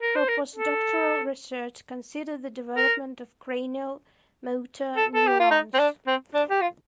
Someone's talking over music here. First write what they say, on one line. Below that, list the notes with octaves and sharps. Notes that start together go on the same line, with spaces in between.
Her postdoctoral research considered the development of cranial motor neurons.
A#4
C5
A#4
A4
A#4
A4
A4
G4
F4
D#4
C4
D4
C4
D4
G4
F4